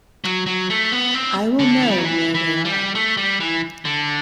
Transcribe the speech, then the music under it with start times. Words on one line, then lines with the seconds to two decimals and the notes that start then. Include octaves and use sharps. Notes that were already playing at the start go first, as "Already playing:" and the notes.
I will know where they are.
0.24 F#3
0.46 F#3
0.70 A3
0.92 B3
1.14 C4
1.59 D3
1.83 E3
1.90 G3
1.98 F#3
2.05 E3
2.35 E3
2.65 G3
2.95 A3
3.17 G3
3.40 E3
3.85 D3